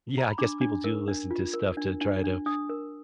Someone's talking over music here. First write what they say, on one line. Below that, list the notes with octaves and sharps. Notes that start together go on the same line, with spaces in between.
Yeah, I guess people do listen to stuff to try to,
A#5
B5
D4 D6
D4
A#4
D4
F4
A#4
D4
D4
D4
D4 D#6
A#4